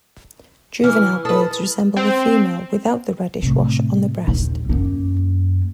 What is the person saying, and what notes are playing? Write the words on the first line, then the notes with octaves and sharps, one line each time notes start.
Juvenile birds resemble the female without the reddish wash on the breast.
E3 F6
A4 B4 D#6
C4
A2 C3
A#1 D#2
F#2 A#3